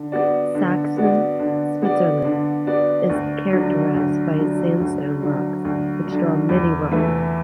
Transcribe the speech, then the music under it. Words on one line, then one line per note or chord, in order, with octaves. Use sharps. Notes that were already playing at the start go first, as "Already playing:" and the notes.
Saxon Switzerland is characterized by its sandstone rocks which draw many rock climbers.
Already playing: D3
B3 F#4 D5
D3
B3 F#4 D5
D3
B3 F#4 D5
D3
B3 F#4 D5
D2
D3 F#3
D2
D3 F#3
D2
D3 F#3
D2
D3 F#3
E2
E3 A3 E4 B4